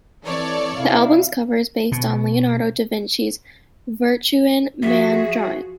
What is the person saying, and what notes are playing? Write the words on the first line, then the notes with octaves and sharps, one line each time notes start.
The album's cover art is based on Leonardo da Vinci's "Vitruvian Man" drawing.
E3 C4 A4 C#5 D5
C3 E4 F5
B2
F3 F#4 G#4 E5